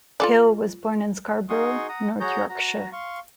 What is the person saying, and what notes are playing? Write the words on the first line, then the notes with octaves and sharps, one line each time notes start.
Hill was born in Scarborough, North Yorkshire.
F4 A4 D5
D#4 F#4 G#4 C6 C#6 D#6
F#5 A#5 D#6
F#4 G#4 C#5 F#5 A#5 G6
F#4 A#5
F5 C6 C#6